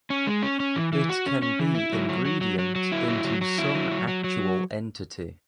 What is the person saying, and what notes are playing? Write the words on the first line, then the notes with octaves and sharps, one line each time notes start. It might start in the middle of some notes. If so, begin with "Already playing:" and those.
It can be ingredient into some actual entity.
C#4
G#3
C#4
C#4
E3
E3
F#4
C#4
C#4
E3
E4
F#3
F#3
F#3
F#3
F#3
F#3
E4
F#3
F#3
F#3
E4
F#3
F#3
F#3
F#3